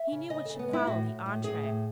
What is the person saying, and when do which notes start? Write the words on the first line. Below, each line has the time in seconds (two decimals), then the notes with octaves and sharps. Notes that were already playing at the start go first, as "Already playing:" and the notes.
He knew what should follow the entree.
Already playing: E5
0.12 C#3
0.30 C#3 D#5
0.45 C#3 A4
0.59 B3
0.68 G#3 E4
0.87 A2 F#4
1.06 A2
1.26 A2
1.44 A2 G#4
1.63 A2